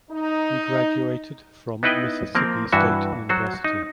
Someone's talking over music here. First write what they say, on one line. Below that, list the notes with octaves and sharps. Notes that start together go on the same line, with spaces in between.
He graduated from Mississippi State University.
D#4
B3 D#4 E4 B4 D#5 G5
F3 A#3 C4 A#4
G2 E3 F#4 E5
F#3 F#4 C5
D#4